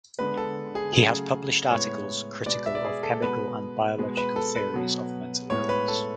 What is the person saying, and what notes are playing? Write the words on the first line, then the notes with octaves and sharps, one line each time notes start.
He has published articles critical of chemical and biological theories of mental illness.
D3 G#3 B3 B4
A4
G#4
C#3 F#3 A3 G#4
A2 G#3 B3 C#5
B2 G#3 B3 D5
E5
D5
G#4
A4
B2 G#3 B3 B4
B2 G#3 B3
B4
A4
B4
B2 F#3 B3
A2 G#3 B3 C#5
B4
A4